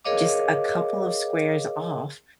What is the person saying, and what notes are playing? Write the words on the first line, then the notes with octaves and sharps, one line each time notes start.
just a couple of squares off,
G#4 A#4 C#5 D#5 F5 D6